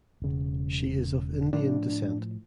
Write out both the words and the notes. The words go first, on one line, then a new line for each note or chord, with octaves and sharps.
She is of Indian descent.
E1 C#3
A2 F3 D4